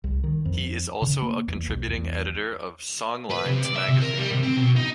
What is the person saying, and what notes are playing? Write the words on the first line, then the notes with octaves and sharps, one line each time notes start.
He is also a contributing editor of "Songlines" magazine.
C2
D#3
F2
C#3
A#3
E2
B1
E2
B4
C3
D5
E5
C3
A#4
G3
C3
C4
B2
D#4